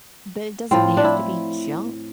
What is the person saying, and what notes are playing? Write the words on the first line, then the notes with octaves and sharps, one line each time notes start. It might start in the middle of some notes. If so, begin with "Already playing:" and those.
but it doesn't have to be junk,
A2 F3 C4
D4
E4